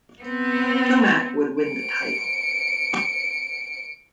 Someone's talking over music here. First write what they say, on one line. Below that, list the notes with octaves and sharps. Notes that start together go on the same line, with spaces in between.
Tomac would win the title.
B3 C4
C#7 D7